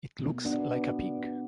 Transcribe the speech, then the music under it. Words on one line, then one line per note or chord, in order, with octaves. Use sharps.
It looks like a pig.
B2 A#3
B3 D4